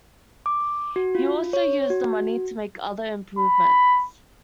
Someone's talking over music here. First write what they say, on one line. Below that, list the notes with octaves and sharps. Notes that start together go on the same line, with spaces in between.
He also used the money to make other improvements.
D6
F#4
F4
C#5
F#4
B5